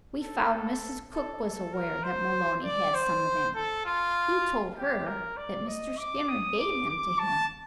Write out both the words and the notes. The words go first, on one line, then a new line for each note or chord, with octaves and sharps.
We found Mrs. Cook was aware that Maloney had some of them--he told her that Mr. Skinner gave them to him.
A4
A4
A4
A#4
C5
D5
C5
A4
F4
G4
A#4
D5
D#5
D6
D#6
D6
D6
A5